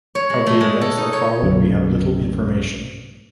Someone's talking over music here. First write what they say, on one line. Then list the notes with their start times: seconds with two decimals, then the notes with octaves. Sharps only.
Of the events that followed we have little information.
0.15 C#5
0.30 G#3
0.46 A3
0.61 G#3
0.81 A4
0.97 D#4
1.13 C#5
1.42 B1 F#2 D3